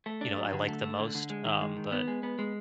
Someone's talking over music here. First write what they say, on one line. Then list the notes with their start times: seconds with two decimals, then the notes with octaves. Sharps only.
you know, I liked the most. Um, but
0.06 A3
0.21 D4
0.37 F#3
0.53 D3
0.68 A3
0.84 A3
0.99 D3
1.15 D3
1.30 G#3
1.45 D#3
1.61 G#3
1.77 D#3
1.92 B3
2.08 G#3
2.23 B3
2.39 G#3